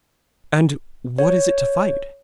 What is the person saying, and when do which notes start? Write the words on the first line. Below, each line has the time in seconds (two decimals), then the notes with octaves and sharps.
'And what is it to fight?'
1.18 C#5